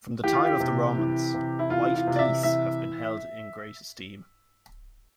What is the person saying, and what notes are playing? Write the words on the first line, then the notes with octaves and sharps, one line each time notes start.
From the time of the Romans, white geese have been held in great esteem.
E3 G4
F4
G4
C3
E3
C3
E4
E3 F4
F4
C3
D5
E5
E3 E5